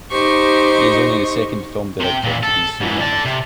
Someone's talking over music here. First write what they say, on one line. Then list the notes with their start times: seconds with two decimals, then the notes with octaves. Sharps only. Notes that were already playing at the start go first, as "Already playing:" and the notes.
He is only the second film director to be so honoured.
0.10 D#4 G4 C5 C#6
2.00 C3 G5
2.24 A#2 E3
2.43 A4
2.80 G#2 E3
3.00 A4 D5
3.25 C3